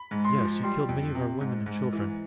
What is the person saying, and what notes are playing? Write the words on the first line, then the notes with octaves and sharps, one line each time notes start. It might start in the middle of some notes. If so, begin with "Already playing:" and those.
Yes, he killed many of our women and children.
Already playing: B5
G#2
C6
F3
G3 C6
F2
C3
G#2
G#2
E3